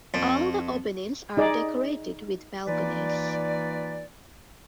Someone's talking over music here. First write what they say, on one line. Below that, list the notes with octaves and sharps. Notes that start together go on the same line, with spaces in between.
All the openings are decorated with balconies.
F2
D#4 G#4 D5
E3 A#3 D#4 F4 B4 D5